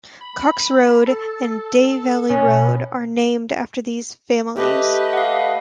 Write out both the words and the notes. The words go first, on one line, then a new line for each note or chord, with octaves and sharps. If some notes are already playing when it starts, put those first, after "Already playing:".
Cox Road and Day Valley Road are named after these families.
B5
A4
B2 C#4
A3 G4 B4 D#5
F5 F#5